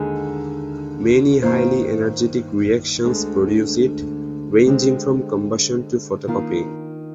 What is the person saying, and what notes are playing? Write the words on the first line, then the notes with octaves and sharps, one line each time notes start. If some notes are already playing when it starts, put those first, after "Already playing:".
Many highly energetic reactions produce it, ranging from combustion to photocopying.
Already playing: D#2 D3 G#3 D#4 G#4
G2 D#3 A#3 F4 C5
D2 D3 G#3
D3 G#3 C4 G4
D#3 A#3 F4